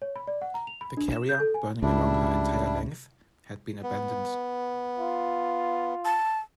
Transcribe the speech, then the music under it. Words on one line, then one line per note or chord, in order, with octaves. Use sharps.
The carrier, burning along her entire length, had been abandoned.
C#5
B5
D5
F#5
A#5
F7
B5
D4
E7
G6
A4
G#5
C#2 G3 D4 E4
B3
F4
A5